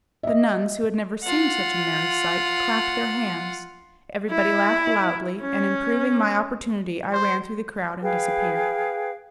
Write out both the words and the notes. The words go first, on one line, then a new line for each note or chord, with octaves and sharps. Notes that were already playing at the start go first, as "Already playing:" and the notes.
The nuns, who had never seen such a merry sight, clapped their hands, everybody laughed loudly, and improving my opportunity I ran through the crowd and disappeared.
D#5 E5
F4 F#5
E4
C#4
C5
G#4 B4 F5 G5